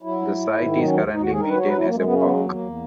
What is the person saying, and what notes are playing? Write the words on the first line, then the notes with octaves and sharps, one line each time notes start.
The site is currently maintained as a park.
F#3 E4
G#2
G#2
D#3
F#3 D#4
C#4
D#2 A#3
D#2 D#4
F#4
D#3 G#4
A#4
F#3 B4
C#5
F#2 B4
E4
F#2 A#3
G#3
C#3 B3
C#4
F#3 B3
G#3
E2 A#3
A#3
E2